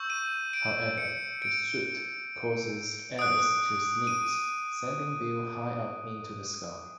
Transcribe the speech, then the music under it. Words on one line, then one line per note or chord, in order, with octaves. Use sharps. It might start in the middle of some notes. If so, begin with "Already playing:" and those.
However, the soot causes Alice to sneeze, sending Bill high up into the sky.
Already playing: C#6 E6 G6
D#7
D7
C#7
D7
D#6 F#6 D7
D#7